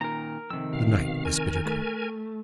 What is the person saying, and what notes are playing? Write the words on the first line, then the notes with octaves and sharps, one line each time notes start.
The night was bitter cold.
A#2 D#3 A#4 A#5
F2 C3 D#3 E6
B2 F5
A#4 G#5
A3